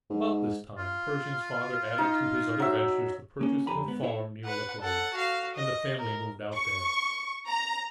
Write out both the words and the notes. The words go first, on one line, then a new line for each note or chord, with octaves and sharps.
About this time Pershing's father added to his other ventures the purchase of a farm near Laclede, and the family moved out there.
G#2
F4
D#4
F#3 E5
A#3 C#4
F2 D3 G4 G#5 A#5 B5
G#2 B3
E4 A4 C5 C#5 E5
B4 F#5
A4 F#5
F#4 F5
D#5
A#4
C#6
A#5